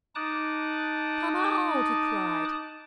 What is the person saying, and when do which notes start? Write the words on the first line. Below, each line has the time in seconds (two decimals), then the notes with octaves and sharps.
"Come out!" he cried.
0.15 D#4 A5 D6 D#6 F#6